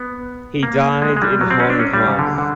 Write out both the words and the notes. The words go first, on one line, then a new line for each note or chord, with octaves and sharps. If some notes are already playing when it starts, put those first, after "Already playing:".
He died in Hong Kong.
Already playing: B3
A#3
G#3
G#3
G3
F#3
C4
C#4
D4
C#4
G3
C#3
D3
D3